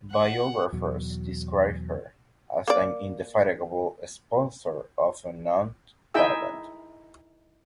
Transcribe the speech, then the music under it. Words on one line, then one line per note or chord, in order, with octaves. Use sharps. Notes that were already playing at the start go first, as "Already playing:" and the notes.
Biographers describe her as "an indefatigable sponsor of unknown talent".
F#5
E2 B2 F#3
A#3 D5
D#4 E4 G#4 E5 G5 E6